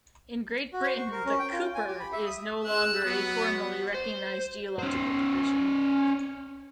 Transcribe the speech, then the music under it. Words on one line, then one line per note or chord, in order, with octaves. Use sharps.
In Great Britain the 'Keuper' is no longer a formally recognised geological division.
F#4
C5
C#6
A#4
C#4
G5
F4
G#5
G4
B5
E5
D#6
G#4 E6 F#6
F#3 B3 F#5
C5
C#4 C5